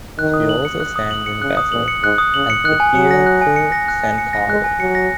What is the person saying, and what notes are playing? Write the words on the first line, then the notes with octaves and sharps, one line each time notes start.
She also sang in Basle at the Teatro San Carlo.
D#3 F#6
D#6
F#7
C#7
F#6
D#6
F#7
C#7
C#3 F#6
D#6
A#2 F#7
C#7
G#2 F#6
D#6
C#3 F#7
C#7
D#3 F#6
G#5
F#3 C#7
A#6
F#6
G#5
C#7
A#6
F#6
G#5
C#7
A#6
G#3 F#6
G#5
F#3 C#7
A#6